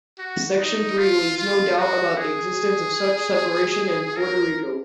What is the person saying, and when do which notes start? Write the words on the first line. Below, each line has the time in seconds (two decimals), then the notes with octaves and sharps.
Section three leaves no doubt about the existence of such separation in Puerto Rico.
0.19 F#4
0.59 D#4
0.98 F4
1.38 F4
1.78 F#4
2.17 G#4
4.17 A#4